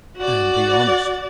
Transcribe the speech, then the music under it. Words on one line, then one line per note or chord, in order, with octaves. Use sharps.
Man, be honest.
F#4 D5